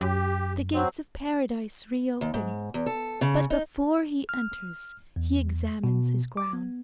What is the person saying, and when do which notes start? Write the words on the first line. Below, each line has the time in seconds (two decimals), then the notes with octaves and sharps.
The gates of Paradise reopen; but before he enters he examines his ground.
0.01 F#2 G4
0.74 F#3 C4
2.21 D#2
2.34 G#2
2.74 E2
2.86 A4
3.21 C#3
3.50 D#4
4.29 F6
5.16 E2
5.84 B2
6.37 D6
6.53 B3